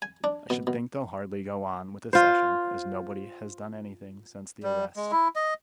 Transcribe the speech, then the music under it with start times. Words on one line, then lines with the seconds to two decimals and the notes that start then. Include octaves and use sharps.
I should think they'll hardly go on with the Session, as nobody has done anything since the arrest.
0.02 G#5
0.24 D4
0.50 B2
0.67 B2
2.13 F4 C5
4.63 G3
4.97 G#3
5.12 E4
5.36 D#5